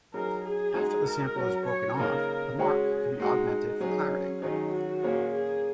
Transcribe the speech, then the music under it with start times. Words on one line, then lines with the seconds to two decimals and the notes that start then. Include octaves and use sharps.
After the sample is broken off, the mark can be augmented for clarity.
0.14 F#3 D#4 G#4 A#4
0.45 G#4
0.75 G#3 D#4 F#4
1.06 A#4
1.36 F#3 C#4 F#4
1.66 C#5
1.97 C#3 A#3 D#4 A#4
2.59 G#3 C#4 F#4 G#4
3.19 G#3 D#4 F#4
3.80 F#3 C#4 D#4 G#4
4.11 C#4
4.42 D#3 F#3 C#4 D#4 G#4
4.73 F#4
5.03 A#2 A#3 C#4 G#4
5.33 G#4